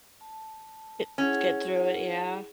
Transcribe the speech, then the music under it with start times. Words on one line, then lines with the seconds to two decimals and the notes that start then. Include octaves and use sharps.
Eh, get through it, yeah.
0.21 A5
1.18 C#4 E4 G#4 F#5